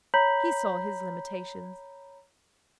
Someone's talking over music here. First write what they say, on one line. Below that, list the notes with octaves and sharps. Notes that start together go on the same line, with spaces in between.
He saw his limitations.
C#5 A#5 B5 G6 B6 F#7